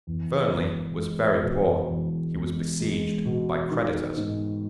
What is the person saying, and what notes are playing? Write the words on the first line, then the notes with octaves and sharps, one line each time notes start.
Fernley was very poor. He was besieged by creditors.
E2
E1
G#3
B2
E2
E1
G#3
B2
D#3
G#2